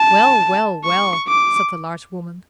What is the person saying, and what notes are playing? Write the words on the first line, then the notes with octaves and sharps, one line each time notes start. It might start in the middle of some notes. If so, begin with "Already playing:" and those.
"Well, well, well!" said the large woman.
Already playing: A5
C#6
D6